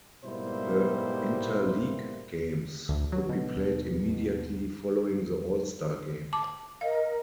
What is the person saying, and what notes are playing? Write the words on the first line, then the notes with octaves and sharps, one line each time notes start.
The interleague games would be played immediately following the All-Star Game.
G#2 B2 G3 A#3 E4 C5
D2 D3
F#3
B2 D3
D#2
A5 D6
A#4 D#5 F5